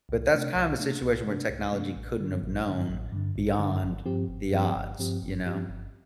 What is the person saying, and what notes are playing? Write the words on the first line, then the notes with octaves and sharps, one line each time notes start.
but that's kind of a situation where technology couldn't have known beyond the odds, you know?
C2
C3 A3 D4
C2
C3 A3 D4
C2
C3 A3 D4
C2
C3 A3 D4
A1
G2 D3
A1
G2 D3
A1
G2 D3
A1
G2 D3
G1
G2 F3 C4 G4
G1
G2 F3 C4 G4
G1
G2 F3 C4 G4
G1
G2 F3 C4 G4
G1